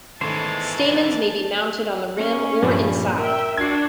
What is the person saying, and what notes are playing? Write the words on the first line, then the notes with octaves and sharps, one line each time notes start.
Stamens may be mounted on the rim or inside.
G#1 E3 G#3 A3 C5 C#5 A5
A#3 C#4
G2 A#2 F3
A#4 E5 G5
D4 F#4 G#6 C7